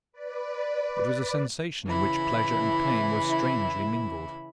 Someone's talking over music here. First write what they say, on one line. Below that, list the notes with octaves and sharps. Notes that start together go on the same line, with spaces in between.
It was a sensation in which pleasure and pain were strangely mingled.
B4 D5
C#3 E3 E4 B5